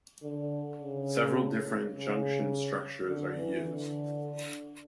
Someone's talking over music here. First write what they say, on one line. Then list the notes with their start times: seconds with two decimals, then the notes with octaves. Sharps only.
Several different junction structures are used.
0.23 D3
0.80 C#3
1.94 C#3
3.08 D3
3.37 E3
3.65 D3